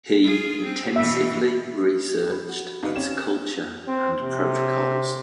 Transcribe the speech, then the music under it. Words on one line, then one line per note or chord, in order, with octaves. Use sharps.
He intensively researched its culture and protocols.
F4 G#4
C4
B2 E3 E5
B5
F#4
G1 D#4 B4 F5 F6
C4 C#4 G4 E7
C4
C3